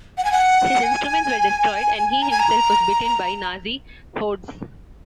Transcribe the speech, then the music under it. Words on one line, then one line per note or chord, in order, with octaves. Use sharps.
His instruments were destroyed and he himself was beaten by Nazi hordes.
F#5
G#5
F#5
G#5
A#5
G#5
A#5